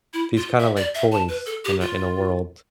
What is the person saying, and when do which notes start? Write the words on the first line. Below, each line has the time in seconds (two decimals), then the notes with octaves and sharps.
these kinda, like, toys in a in a world,
0.13 E4
0.37 F4
0.59 E5
0.77 D5
0.95 E5
1.12 A5
1.29 B4
1.46 A4
1.65 G4
1.81 F4